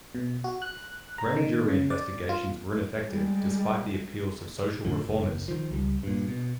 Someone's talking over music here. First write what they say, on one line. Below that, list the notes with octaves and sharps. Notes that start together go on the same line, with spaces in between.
Grand jury investigations were ineffective, despite the appeals of social reformers.
B2
F#4
F#6
A#5
D#3
C#3
D5
F4
G3 G#3
A2 D3 F3
F#1
D#3 F3
C#2 G3
G2 A#2
B2